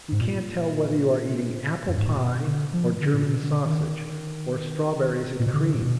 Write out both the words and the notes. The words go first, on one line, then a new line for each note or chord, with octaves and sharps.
You can't tell whether you are eating apple-pie or German sausage, or strawberries and cream.
G#2
A#2
F#2
G#2
A#2
B2
D3
F3
D3
A#2
B2
D3
D#3
A#2
B2
D3
A#2
B2